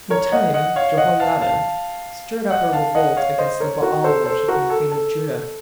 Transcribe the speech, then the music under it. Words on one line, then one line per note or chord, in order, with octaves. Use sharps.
In time Jehoiada stirred up a revolt against the Baal-worshipping queen of Judah.
A#4 C#5
D#5 F#5
D#5 F#5
C#5 F5
D#5 F#5
F5 A5
F5 A5
D#5 F#5
F5 A5
D#5 F#5
C#5 F5
C5 D#5
A#4 C#5
F#4 A#4
A4 C5
A4 C5
F#4 A#4
A4
A4